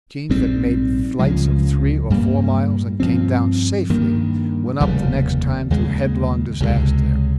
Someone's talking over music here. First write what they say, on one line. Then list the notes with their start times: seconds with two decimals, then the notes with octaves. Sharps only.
Machines that made flights of three or four miles and came down safely, went up the next time to headlong disaster.
0.29 A#1 G#2 G3 C4
1.19 C#2 C#3 F3 G#3
2.10 G2 G3 A#3
3.00 G2 F3 C4
3.90 G2 D#3 A#3
4.80 F1 D#2 C#3 G3
5.70 D#2 C#3 G#3
6.60 C#2 C3 F3 G#3